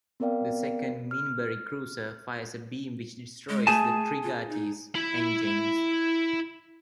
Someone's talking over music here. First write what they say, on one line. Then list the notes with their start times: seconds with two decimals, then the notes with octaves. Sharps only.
The second Minbari cruiser fires a beam which destroys the "Trigati's" engines.
0.20 B3 C4 A#4 D5 F5 G5
1.11 F6
3.49 G#3
3.67 A3 G#4 G#5 A5
4.23 F4
4.49 D#4
4.95 E4 B5